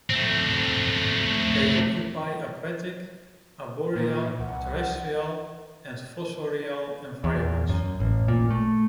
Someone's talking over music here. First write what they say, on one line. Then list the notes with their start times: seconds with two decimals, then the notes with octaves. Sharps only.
They occupy aquatic, arboreal, terrestrial and fossorial environments.
0.10 A3 C4
3.95 A#2
4.39 C2 F#5
7.24 E2
7.69 F#2
8.00 A1
8.28 A#2
8.50 A3